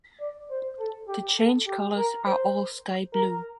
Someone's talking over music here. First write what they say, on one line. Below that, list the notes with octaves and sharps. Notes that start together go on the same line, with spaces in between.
The change colours are all sky blue.
D5
C5
A4
G4
A4
G4
A#4
C5
A#4